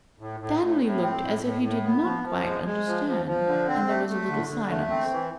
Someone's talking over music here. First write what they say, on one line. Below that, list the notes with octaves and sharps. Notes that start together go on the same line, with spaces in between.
Stanley looked as if he did not quite understand, and there was a little silence.
A2
A2
A2
A2
C4
A2
A2
A2
B3
F3
F3
G#3
G#3
F3
F3
F3
D3
C4
A3
A3
D3
D3
A3
C4
E3